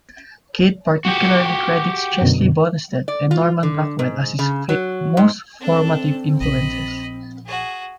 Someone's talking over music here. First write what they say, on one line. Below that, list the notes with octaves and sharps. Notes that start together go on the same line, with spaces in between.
Kidd particularly credits Chesley Bonestell and Norman Rockwell as his most formative influences.
F#4 G4
F#2 B2 D3
D5
F4
D3
G#2
C#3
F#3
G#2
C4 D4 A4
A#1 D#5 B5
F#4 G#4